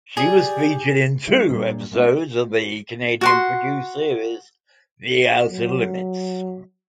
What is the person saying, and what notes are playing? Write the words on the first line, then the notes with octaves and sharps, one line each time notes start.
She was featured in two episodes of the Canadian-produced series "The Outer Limits".
G4 G#4 D5
G3 A3 D4 E4 F4
A#2 G3 A#3 D4
G#3 A#3 B3 C#4 E4
F#4 F#5 C6
F#3